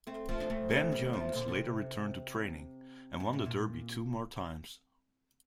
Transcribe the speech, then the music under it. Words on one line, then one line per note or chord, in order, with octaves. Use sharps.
Ben Jones later returned to training and won the Derby two more times.
A3 C4
F3 A3
D4
A3 C4
A3 C4
D#3 G3
F3 A3
A#2 D3
D3
C3
G2
A2
A#2